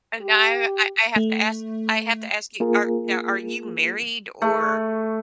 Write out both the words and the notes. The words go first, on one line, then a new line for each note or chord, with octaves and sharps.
And now I I have to ask I have to ask you. Are now, are you married? Or,
G4
A3
A#3 F4 G#4 A#4
A3